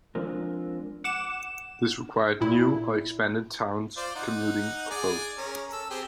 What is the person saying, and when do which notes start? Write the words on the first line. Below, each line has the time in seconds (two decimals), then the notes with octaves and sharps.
This required new or expanded towns, commuting, or both.
0.15 F3 G#3 C4 D4 F4 A#4
1.04 F#5 D6 E7
2.41 A#2 E4
3.97 F4 C5 D5
4.15 D#4 F#5
4.90 G#4 D5 G#5
5.38 C#4 G#4 A#4
5.73 A4 E6
5.90 C4 G4 G#4